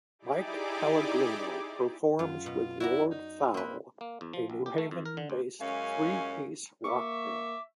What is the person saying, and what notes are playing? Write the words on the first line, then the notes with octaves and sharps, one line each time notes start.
Mike Pellegrino performs with Lord Fowl, a New Haven-based three piece rock band.
D#4 E4 G4 G#4 D5 D6
F#2 F4
B2
E4 F#4 D5 A#5
D#4
A#3 C4 B4
A#3
E2
F3
A#1
G4
A3
F2
A#4
D3
D2
F#2 G#3 C#4 F5 G#5
A#3 E5 C#6 D6